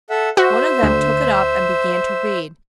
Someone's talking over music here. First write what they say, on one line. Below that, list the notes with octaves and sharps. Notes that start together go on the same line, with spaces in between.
One of them took it up and began to read.
A4 E5 F#5
F#4 C5 E5
D2